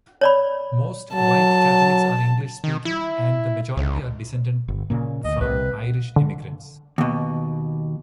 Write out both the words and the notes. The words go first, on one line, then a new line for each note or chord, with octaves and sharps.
Most white Catholics are English speaking, and the majority are descended from Irish immigrants.
C#5 D5 B5
F#3 A5
D#3
E4
C#2
G1
A#2 C#3 A#3
D2 D#5
C2 C3 B4
D3
D#2 B2